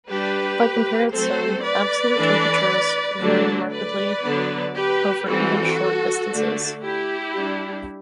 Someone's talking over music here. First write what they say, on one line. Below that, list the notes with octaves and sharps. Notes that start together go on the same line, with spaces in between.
By comparison, absolute temperatures vary markedly over even short distances.
G3 D4 G4 B4
F#3 A3 C4 A4 C5
B4 D5
E3 A3 D4
D3 F#3 A3 D4
B4 D5
D3 F#3 B3 D4
G4 B4
E3 G3 C4 F#4 A4
D3 A3 D4
E4 G4
G3 D4